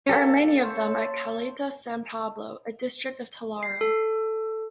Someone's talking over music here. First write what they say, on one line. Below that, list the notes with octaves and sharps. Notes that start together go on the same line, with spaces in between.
There are many of them at Caleta's San Pablo, a district of Talara.
A#3 C#4 G4 A4
C5 C#5 E5
C7
A4